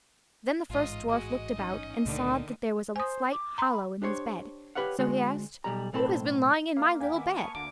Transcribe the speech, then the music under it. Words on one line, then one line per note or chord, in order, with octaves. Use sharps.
Then the first dwarf looked about, and saw that there was a slight hollow in his bed, so he asked, "Who has been lying in my little bed?"
A1 G#2 F4 D#5
G#3 F#4 D#5
C#4 D#4
C#2 A#2 D3 D#3 A3
C5 G#5 D#6
D6
A#5 C6
B5
D4 G4 C5 C#5
G4 B4 C#5 F5 F#5
D3 G#3 C4 F#4
B1 G3 A#5
B1 A2 C4 A4 A5 B5
A#3 F5
D#2 G4 A#4 G#5
D#3 B3 E5 D6
B4 C#5 A5 C#6 D#6
D2 D3 A#3 D6